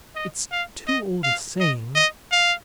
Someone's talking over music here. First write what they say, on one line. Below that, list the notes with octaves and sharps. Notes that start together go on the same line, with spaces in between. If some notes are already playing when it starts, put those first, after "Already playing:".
It's too old a saying.
D#5
F5
D#5
F5
D#5
D#5
F5